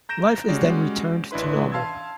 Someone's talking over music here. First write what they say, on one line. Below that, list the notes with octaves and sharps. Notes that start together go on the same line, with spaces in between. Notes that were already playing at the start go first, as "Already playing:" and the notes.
Life is then returned to normal.
A#5 G6 A#6 D7 E7
G3 G#3 C#4 F#4 D5
A1 D4 E4 B4 C6
F5 A5 C6 E6 G#6